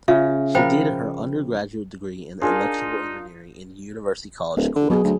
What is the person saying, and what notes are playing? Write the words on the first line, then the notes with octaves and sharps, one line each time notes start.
She did her undergraduate degree in electrical engineering in University College Cork.
C#3 F4 E5 F5
F3 A#4 C5 G5 B5
D4 D#4 F4 G#4 A#4 F5
D1
D3
B2 F#3 G#4
D2